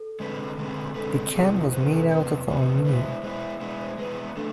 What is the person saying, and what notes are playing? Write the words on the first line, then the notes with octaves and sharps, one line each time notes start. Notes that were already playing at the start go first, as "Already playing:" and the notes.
The can was made out of aluminium.
Already playing: A4
D3 G#3 C4 G#4 B4
D3 G#3 C4 G#4 B4
D3 G#3 C4 G#4 A4 B4
E2 C3 F3 B3 G#4
E4
F4
E2 C3 F3 B3 C5
B4
A4
B4
E2 C3 F3 B3
E2 C3 F3 B3
B4
G#3 B3 E4 C5
C5
G#3 B3 E4 C5
G#3 B3 E4 D5
C5
G#3 B3 E4 B4
E3 A3 D4 A4